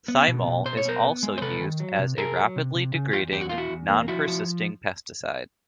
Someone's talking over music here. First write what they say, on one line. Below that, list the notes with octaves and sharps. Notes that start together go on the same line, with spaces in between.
Thymol is also used as a rapidly degrading, non-persisting pesticide.
B3
B2
B2
B2 C5
C#5
B3 A#4 C5
B3
G#3
C5
C3 A4 B4
D#3
F#3
C3
C3 G#4 A#4
F#3
C3
C3
C#3
E2 F4 G4
E2 G4
F#4
A#3 F4
E4 F#4
E2
A#3
F3 E4 F#4
F3